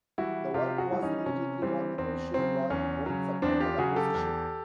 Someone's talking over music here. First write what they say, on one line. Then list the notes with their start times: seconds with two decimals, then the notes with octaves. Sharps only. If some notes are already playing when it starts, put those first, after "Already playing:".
The work was immediately controversial, drawing both support and opposition.
0.18 E3 G3 E4 F#4
0.54 C3 F4 G4
0.78 F#4 G#4
0.90 E3 G3
1.02 C#4 D#4
1.26 C3 C#4
1.62 E3 G3 C4
1.98 E2 C4
2.34 C#3 F#3 C4
2.70 E2 C#4
3.06 C#3 F#3
3.42 E2 C4 D4
3.61 F4 G4
3.78 C#3 F#3 F#4 G#4
3.96 G4 A4
4.14 E2